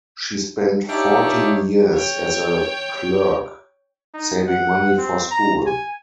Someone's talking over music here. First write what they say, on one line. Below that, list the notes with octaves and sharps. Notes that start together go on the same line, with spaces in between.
She spent fourteen years as a clerk, saving money for school.
D4 D#4 F4 G4 C#5 E5
C#5 G5
D#4
F#5
C4
A#5
G#5